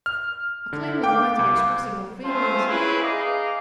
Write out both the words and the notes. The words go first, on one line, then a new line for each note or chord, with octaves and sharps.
I claim the right of expressing my feelings.'
F6
D3
F5 G5 D6
C2
A3 C4 F4 C5 G#5
C4 C#4 E4 G#4 B4
D#4 G#4 D#5 F5 D6